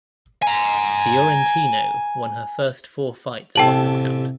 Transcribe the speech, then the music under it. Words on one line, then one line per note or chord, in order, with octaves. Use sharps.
Fiorentino won her first four fights by knockout.
G#5 A#5
A1 C3 A4 G5 A5 F#7